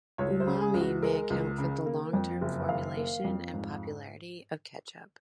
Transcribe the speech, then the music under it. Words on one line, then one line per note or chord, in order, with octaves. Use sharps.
Umami may account for the long-term formulation and popularity of ketchup.
C#2 C#5
C5
C#3
G#4
C#2
F#4
G#3 A#4
C#2
C#3
A#3
F2
F#1
D#3 F5
A#3
F2
G#2